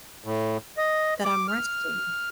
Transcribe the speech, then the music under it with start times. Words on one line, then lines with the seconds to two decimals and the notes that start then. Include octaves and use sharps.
that I'm resting.
0.24 A2
0.78 D#5
1.25 D6
1.48 F6